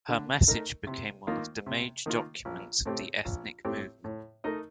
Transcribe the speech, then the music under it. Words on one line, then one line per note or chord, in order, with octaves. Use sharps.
Her message became one of the major documents of the "ethnic movement".
D3
A3 D#4 A#4
C3
D#3 A#3 F4
C3
D#3 A#3 F4
A#1
A2 A3 C4 G4
A#1
A2 A3 C4 G4
A2
A3 D#4 A#4 D#5